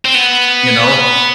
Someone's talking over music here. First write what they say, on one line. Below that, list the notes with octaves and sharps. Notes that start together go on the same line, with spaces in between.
you know,
C4
B3